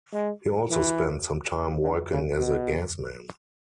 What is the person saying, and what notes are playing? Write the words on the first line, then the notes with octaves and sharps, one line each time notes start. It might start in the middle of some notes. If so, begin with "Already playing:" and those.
He also spent some time working as a gasman.
G#3
E3
D3
C#3
B2